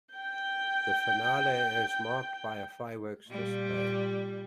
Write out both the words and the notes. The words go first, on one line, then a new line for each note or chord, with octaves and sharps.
The finale is marked by a fireworks display.
G5 G6
A#2 G3